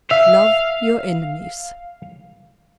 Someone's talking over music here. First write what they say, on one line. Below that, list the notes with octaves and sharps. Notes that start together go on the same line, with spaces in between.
Love Your Enemies.
E5 F5